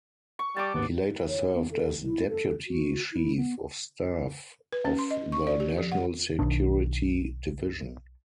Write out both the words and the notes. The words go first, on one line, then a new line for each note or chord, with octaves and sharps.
He later served as deputy chief of staff of the National Security Division.
C#6
G3 A5 D6
G#1 D#2 B3
C#5
B3
A4
E4
A4
F#4
E4
B3
B4
C#4
C6
D#5
C#6
D5
G4
F3
F#5
B1 D#3 D4